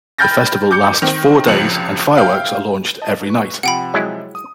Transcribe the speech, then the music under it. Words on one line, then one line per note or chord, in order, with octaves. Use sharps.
The festival lasts four days and fireworks are launched every night.
G5 B5 F6 G6 A6 A#6
D6 G6 C#7
D#3 C4
F1 C#2 F3 C#7 F#7
E5 F5 G5
D#5 A5
B4 C#6
C3 F3 F#5 G5 B5
F#3 G#3 E4
D#6